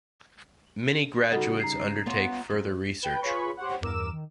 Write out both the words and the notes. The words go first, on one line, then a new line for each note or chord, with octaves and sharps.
Many graduates undertake further research.
C#3 G3 D#4 F#4 A4 F#5
A#5 C7
B3 F4 C#5
F2
B4 G5 G6
F4 G#4 B4 C#5 B5 C#6
G4 C5 C#5 F#5
E2 G2 A#4 D6 E6 E7
D#3